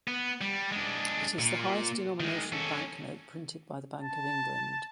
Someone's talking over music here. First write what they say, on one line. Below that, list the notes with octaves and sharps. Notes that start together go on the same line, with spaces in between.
It is the highest denomination of banknote printed by the Bank of England.
B3
G3
G#3 D4
A#2
D#3 G#3
C#4 A4
A5